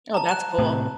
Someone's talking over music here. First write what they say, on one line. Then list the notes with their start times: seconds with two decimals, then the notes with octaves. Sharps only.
Oh, that's cool.
0.14 A5 A#5
0.29 F#6 E7
0.58 A2 C3